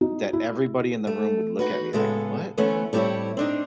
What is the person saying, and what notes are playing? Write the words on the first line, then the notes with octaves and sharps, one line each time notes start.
that everybody in the room would look at me like, "What?"
D#4
E4
A3
D#4 F#4 B4
A2 C#3 G#3 B3 A4
D2 E3 A3 B3 C#4
A2 G3 C4 E4 C#5
C4 D4 D#4